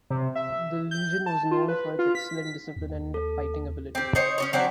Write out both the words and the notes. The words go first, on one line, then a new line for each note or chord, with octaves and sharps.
The Legion was known for its excellent discipline and fighting ability.
C3
E5
G6
A5
F4
B4
F4
B6
D#2
A4
C4 G4
D#4 C5 C#5
C#4 D#4 C#5
F#3 C4 D4 E4